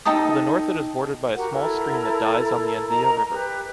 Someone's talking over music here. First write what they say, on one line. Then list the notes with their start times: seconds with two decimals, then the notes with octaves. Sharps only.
To the north it is bordered by a small stream that dies on the Andilla river.
0.05 D#4 A4 G5 D#6
1.35 F#4 G4 A#4 F#5
1.53 E4 A4 A#4
2.88 A#4 D#5 A#5
3.30 G4 B4